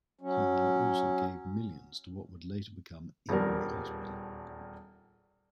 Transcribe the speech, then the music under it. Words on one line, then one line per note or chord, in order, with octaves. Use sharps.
Candler also gave millions to what would later become Emory Hospital.
F#3 C#4
D#1 E2 G3 D4 A#4